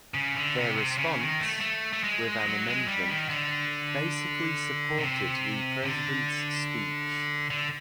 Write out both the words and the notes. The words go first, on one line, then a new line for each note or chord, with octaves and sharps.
Their response, with an amendment, basically supported the President's speech.
C#3
D3
C3
C3
C#3
D#3
A3
A3
A3
G#3
F#3
G#3
G3
D#3
D3
C3
D3
D3